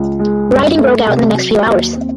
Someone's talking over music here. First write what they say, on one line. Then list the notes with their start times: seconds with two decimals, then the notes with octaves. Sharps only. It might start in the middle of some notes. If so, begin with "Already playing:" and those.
Rioting broke out in the next few hours.
Already playing: C#2
0.19 G#3
0.49 G2
0.78 A3
1.07 C3
1.37 F#3
1.66 D#2
1.96 C4